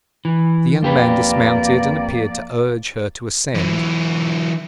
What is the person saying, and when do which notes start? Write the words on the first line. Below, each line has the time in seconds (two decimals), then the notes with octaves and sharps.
The young man dismounted, and appeared to urge her to ascend.
0.25 E3
0.83 F2 A#3 G4 B4 D5
3.55 E3 F#3